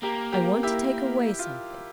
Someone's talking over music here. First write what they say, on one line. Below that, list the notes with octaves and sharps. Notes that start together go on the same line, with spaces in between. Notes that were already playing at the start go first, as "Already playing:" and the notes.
I want to take away something.'
A#3 G4 A#4
G4 A#4
E4 G4
F4